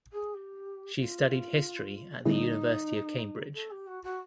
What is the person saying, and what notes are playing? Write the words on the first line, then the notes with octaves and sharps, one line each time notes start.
She studied history at the University of Cambridge.
G#4
G4
F4
D3 G3 B3 D#4 E4 G#4
A4
G4
F#4
F#4